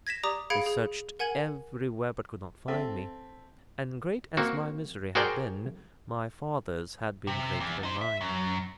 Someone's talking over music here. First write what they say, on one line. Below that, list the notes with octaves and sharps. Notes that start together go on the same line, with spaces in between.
They searched everywhere, but could not find me; and great as my misery had been, my father's had been greater than mine.
G#6 A#6 B6 E7
G4 D5 A#5 D6 D#6
G#4 F5 B5 G#6 C#7 D7
G#4
A#4 F#5 G#5 G#6 F#7
C4 A4 E5
A#3 C4 F#4
F#4 G#4 A#4 C5 D5 G5
C3
E2
D#4 C5
E5
F#2